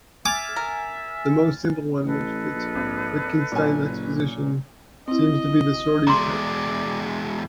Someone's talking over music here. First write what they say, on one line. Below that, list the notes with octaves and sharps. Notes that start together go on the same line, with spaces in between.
The most simple one, which fits Wittgenstein's exposition, seems to be the sorites type.
E5 G#5 D6 F6 A6
A#4
A1 A4 B4 D#5
A#1
G#1
F#1 A#2 C#5 G#5
C4 E4 D#5
E2 G#3 D5 A#5 C6